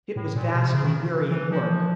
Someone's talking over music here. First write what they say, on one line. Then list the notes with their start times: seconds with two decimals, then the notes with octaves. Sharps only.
It was vastly wearying work.
0.16 A2
0.35 A#2
0.54 B2
0.63 C3
0.73 C#3
0.84 D#3
1.31 E3
1.51 F3